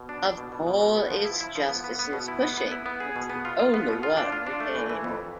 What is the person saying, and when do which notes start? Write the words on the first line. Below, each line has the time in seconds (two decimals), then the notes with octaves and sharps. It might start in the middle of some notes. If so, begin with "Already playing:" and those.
Of all its justices, Cushing was the only one retained.
Already playing: B2
0.09 D4
0.23 D4
0.37 B2
0.52 B2
0.67 B2
0.81 B2
0.96 B3
1.11 F3
1.25 E4
1.41 E4
1.55 F3
1.69 B3
1.84 B3
1.99 B3
2.13 B2
2.28 E4
2.42 B3
2.57 B3
2.72 E4
2.86 B3
3.00 G#4
3.16 B2
3.30 B3
3.45 F4
3.59 F4
3.74 B3
3.88 B2
4.03 F4
4.17 D4
4.32 F4
4.47 D4
4.60 A3
4.75 E3
4.90 E3
5.04 F2